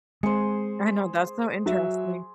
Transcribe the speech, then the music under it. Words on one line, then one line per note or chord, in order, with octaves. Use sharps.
I know, that's so interesting.
G#3 C4 G#4 C5 C#7
F#3 E5